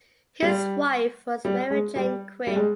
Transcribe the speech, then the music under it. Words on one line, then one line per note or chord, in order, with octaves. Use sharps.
His wife was Mary Jane Quinn.
G3
G3
G#3
G3
G3
G#3